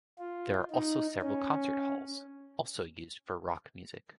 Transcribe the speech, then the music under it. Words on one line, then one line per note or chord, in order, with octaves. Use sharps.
There are also several concert halls, also used for rock music.
F4
D#4
C#4